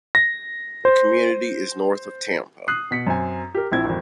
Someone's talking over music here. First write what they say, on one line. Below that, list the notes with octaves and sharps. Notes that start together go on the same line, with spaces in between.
The community is north of Tampa.
A#6
C5
D#6 F#6 C7
B2 B6 C#7
F#2 C4 G#5
G4 A#4
A#1 C4 E4 G#6
G#1 F2